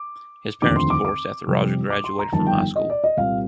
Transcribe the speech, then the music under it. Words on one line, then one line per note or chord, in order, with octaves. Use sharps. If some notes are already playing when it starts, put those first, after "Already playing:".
His parents divorced after Roger graduated from high school.
Already playing: D6
F1 D#2 D3 F3 C4 D6
C6
D6
D6
F2 C3 G3 C4
D6
C6
A#5
G1 F2 D#3 G3 A#3 A5
G5
D#5
D5
D#5
C2 A#2 G3 C4 F5